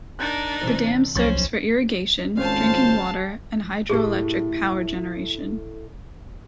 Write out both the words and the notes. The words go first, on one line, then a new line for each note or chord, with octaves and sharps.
The dam serves for irrigation, drinking water and hydroelectric power generation.
D4 D#4 A#4 F#6 G6 A6
C3 E3 C4
C2 F3 F#3 C#4 C5 C#6 A6
G#1 F2 G#3 C4 C#4 C5 F5 A5
A2 A3 G4 G#4